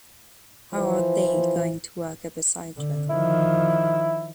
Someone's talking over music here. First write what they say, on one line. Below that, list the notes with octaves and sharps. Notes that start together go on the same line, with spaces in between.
How are "they" going to work up a cyclone?
E3 F3 C5
D3
D#3 F3 E4